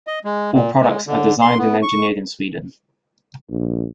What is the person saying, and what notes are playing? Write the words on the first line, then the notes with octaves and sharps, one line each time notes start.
All products are designed and engineered in Sweden.
D#5
G#3
A#2
G#3
D3
C6
B3
C#6
A#1